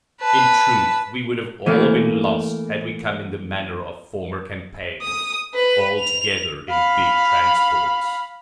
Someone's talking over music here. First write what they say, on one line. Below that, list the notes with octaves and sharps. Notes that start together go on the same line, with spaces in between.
In truth we would have all been lost, had we come in the manner of former campaigns, all together in big transports.
B4 A5
E3 A3 A#3
D#6
B4
F7
F5 B5